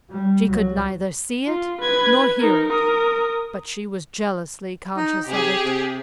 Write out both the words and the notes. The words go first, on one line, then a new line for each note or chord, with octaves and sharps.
She could neither see it nor hear it, but she was jealously conscious of it.
G3
C2 F#3
F4
B4 G#6
D#4 A#4
A#4 D#6
D#4
C3 G4 G#4
C3